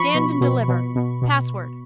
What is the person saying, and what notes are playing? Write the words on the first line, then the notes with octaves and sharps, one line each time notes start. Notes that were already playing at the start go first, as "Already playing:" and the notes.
Stand and deliver. Password.
Already playing: F3 B5 C#6
B2
B2
B2
B2
B2